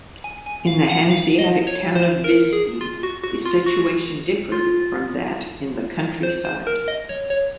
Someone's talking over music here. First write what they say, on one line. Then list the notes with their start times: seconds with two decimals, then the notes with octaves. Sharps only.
In the Hanseatic town of Visby the situation differed from that in the countryside.
0.24 G#5
0.46 G#5
0.67 F5
0.89 F#5
1.11 F5
1.39 D#5
1.67 C#5
1.95 C5
2.24 A#4
2.53 G#4
2.81 F4
3.03 F#4
3.24 F#4
3.45 F4
3.66 F#4
4.52 F4
6.23 C5
6.45 C5
6.67 A#4
6.88 D#5
7.09 C#5
7.30 C#5